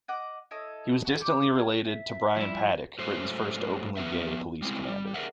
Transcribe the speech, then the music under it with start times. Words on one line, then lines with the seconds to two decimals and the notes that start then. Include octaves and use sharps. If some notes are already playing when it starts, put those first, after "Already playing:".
He was distantly related to Brian Paddick, Britain's first openly gay police commander.
0.08 D#5 F#5 D6
0.51 E4 A4 C#5 D#5
1.05 F#4
1.20 G4 C#6 D6
1.55 F5 G#5
1.85 E5
2.36 F3 G3 E4
2.98 G#2 F#3 A3 C5
3.97 F3 B3 B4 E5
4.62 G3 G#3 C4 E4
4.88 G3
5.14 G#4 A#4 C5 D5 E5 F#5